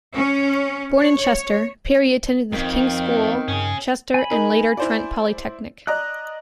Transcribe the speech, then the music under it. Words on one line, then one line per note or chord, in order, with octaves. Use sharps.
Born in Chester, Parry attended The King's School, Chester, and later Trent Polytechnic.
C#4
C#5
F2 D#3 C4
G2 C#4 G#4
G#5 B5
D#4 A#4
E4 C5 D5
D5 D#5 A#5 F#6